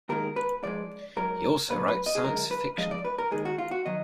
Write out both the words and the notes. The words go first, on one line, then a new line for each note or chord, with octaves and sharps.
He also writes science fiction.
D#2 D#3 G#3 A#4
B4
G#2 F3 G#3 D5
G#2 F#3 A#4
A#2 F#3 B4
B4
D#5
G#4
F#2 D3 G#3 A#4
B4
F2 F3 G#3 D#5
D5
B4
A#4
D#2 D#3 G#3 G#4
F#4
F4
F#4
D#3 F#3 D#5